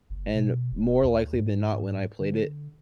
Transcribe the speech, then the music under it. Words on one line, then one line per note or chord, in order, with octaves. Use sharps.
and more likely than not when I played it,
F#1
B2
E1
D2
G#2
D3